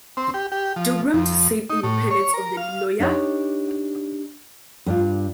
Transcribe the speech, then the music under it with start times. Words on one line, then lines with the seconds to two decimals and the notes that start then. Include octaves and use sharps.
Dougram to save independence of the Deloyer!
0.17 C4
0.34 G4
0.52 G4
0.76 F3
1.13 F2
1.70 D#4
1.83 A2
2.11 C#5
2.34 A#4
2.57 F5
2.99 D4 D#4 G4 C#5
4.86 G2 D4 F4